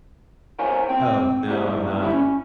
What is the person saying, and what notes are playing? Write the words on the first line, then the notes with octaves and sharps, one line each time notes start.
Oh, no, I'm not.
A#4 C5 C#5 F5 G#5
C4 G5
C2 A2 G3
G#2 D3 G3 E4
C#4